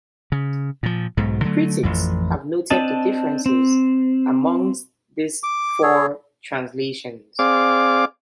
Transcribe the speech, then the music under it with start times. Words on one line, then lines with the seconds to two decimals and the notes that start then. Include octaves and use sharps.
Critics have noted the differences amongst these four translations.
0.32 C#3
0.83 A#2 F3
1.17 B1 G#2 B2
1.44 D3 F#3 A3
1.83 A1 F2 E3
2.70 C4 D4 D#5 A5
3.46 C4
5.43 D6
5.83 G#4 A4 C#5
7.39 C4 G#4 D5 F5 D6